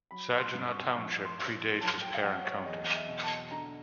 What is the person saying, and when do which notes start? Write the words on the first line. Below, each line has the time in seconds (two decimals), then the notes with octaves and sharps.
Saginaw Township predates its parent county.
0.11 F#3 B5
0.39 C6
0.54 G2
0.68 C#6
0.96 F3 C#6
1.25 C6
1.38 F3
1.81 F#3 A5
2.02 G5
2.15 F5
2.23 F#3 F#5
2.45 C#5
2.66 E2 D#5
2.94 E5
3.08 B2
3.23 A5
3.51 D3 A#5